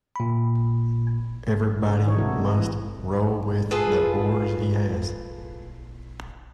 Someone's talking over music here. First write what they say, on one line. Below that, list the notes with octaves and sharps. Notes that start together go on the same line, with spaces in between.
Everybody must row with the oars he has.
A#2 B5
C#3 D4 G#4
D#3 E3 G3 D#4 C#5
C3 E4 F#4 G4 A4
A3
B4 D#5
E3 G#3
F4 G#4 A4 B4